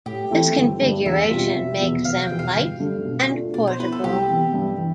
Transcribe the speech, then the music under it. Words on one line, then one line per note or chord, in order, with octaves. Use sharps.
This configuration makes them light and portable.
A2 G4
E3 A3 C4 E4
G1
G2 D3 A3 D4
E2 E5
B2 G3 C4 F4
F1
E2 B2 B3
F1 F5
G5
E2 B2
F5
G1
G2 D3 A3
B2
A3 D4 F4
B2 D5
C5
B3 E4 B4
A4
C2 G4
C3 E3 B3
G2
E3